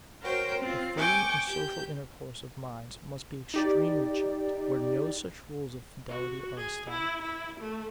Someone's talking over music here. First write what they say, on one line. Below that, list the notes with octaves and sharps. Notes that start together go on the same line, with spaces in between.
The free and social intercourse of minds must be extremely checked, where no such rules of fidelity are established.
F#4 A#4 C5 C#5 G5
C4 F4
G5 G#5 C#6 D6
G4 G6
D#4 G4 D5
F#4
G#4
E4
E4
A3